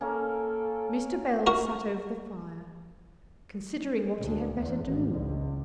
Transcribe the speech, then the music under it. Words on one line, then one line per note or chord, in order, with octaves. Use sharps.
Mr. Bell sate over the fire, considering what he had better do.
A#3 C#4 A4
F#4 A#4
D2
E2
G#1
C#2